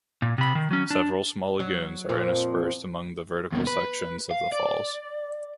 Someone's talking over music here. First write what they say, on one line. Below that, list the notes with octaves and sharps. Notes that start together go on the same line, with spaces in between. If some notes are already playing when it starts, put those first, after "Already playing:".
Several small lagoons are interspersed among the vertical sections of the falls.
A#2
C3 B5
D#3
F#3 C#4
D4
F#3
F2 A#2 F3
D#2 B2
B4
F5
D5